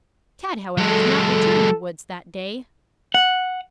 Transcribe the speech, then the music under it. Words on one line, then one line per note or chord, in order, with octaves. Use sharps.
Tad, however, did not return to the woods that day.
F#3 G#3 A4
F#5